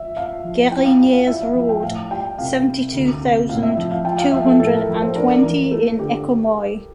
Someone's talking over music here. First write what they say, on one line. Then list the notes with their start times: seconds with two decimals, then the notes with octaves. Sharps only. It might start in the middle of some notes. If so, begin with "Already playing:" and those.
Guérinières road, seventy-two thousand two hundred and twenty in Écommoy.
Already playing: E5
0.16 F4 F5
0.44 F3
0.72 E4 G5
0.85 F5
1.00 G3 F5
1.13 F5
1.27 E4 E5
1.41 F5
1.55 F3
1.69 G5
1.83 A2 F5
2.11 G3 G5
2.38 C2 F5
2.66 C3
2.94 D2
3.21 C3
3.49 A2 F5
3.63 E5
3.77 F3 E5
3.91 F5
4.05 F4 G5
4.18 F5
4.32 F3 E5
4.46 A4
4.59 A2 A4
4.73 A#4
4.88 F3
5.02 C5
5.16 D4 A#4
5.43 E3 A#4
5.71 A3 A4
5.99 D3 G4